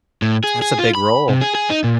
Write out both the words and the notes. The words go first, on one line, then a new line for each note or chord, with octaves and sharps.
That's a big role.
A2
G#4
G#4
F4
B5
C3
G#4
G#4
D#4
A#2